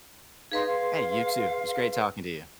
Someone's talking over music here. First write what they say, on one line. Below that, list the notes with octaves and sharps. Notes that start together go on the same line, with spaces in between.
Hey, you too. It's great talking to you.
D#4 G#4 B4 F5 C6
F5